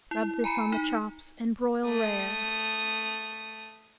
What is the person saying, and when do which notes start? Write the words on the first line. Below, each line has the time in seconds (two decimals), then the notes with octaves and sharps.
Rub this on the chops and broil rare.
0.11 E4
0.44 G#5 A#5 B5 C7 C#7
0.72 D#4
1.86 A3 D#6